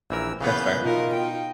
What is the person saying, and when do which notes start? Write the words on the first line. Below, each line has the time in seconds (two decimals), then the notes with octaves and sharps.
That's fair.
0.10 A#1 E3 A#4 E6
0.41 C#3 E3 B3 B4 F5 G6
0.82 B2 D#4 F4 A#4
1.14 D#4 G5